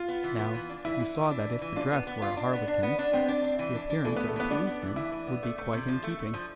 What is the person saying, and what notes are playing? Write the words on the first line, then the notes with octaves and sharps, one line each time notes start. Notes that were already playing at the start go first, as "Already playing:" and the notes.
Now, you saw that if the dress were a harlequin's the appearance of a policeman would be quite in keeping.
Already playing: F4
B3
E3
B3
E3
D4
E3 E4
E3
E3
D4
E3
E3
D4 F4
B3
B3
F4
D4
B3
D4
B3
D4
B3 C4
D4
D4
E3
D4
D4
E3 A3
B3
E3
A3
E3 B3
B3 D4
B3
E3
E3 E4
E3
B3
A3
A3
C3
F3
A3
A3
F3